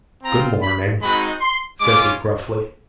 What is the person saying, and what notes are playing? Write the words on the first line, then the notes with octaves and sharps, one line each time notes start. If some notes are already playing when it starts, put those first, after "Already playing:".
"Good morning," said he gruffly.
C4 F4 A#5
B5
G#3 C4 D#4 F#4 B5
C6
G#3 C#4 F4 D6